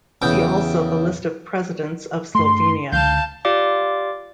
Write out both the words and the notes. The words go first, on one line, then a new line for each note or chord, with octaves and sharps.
See also the list of presidents of Slovenia.
E2 C#3 G5
G2 A3 C6
C#2 D3 F5 A5 G6
F4 G4 D5 F5 D6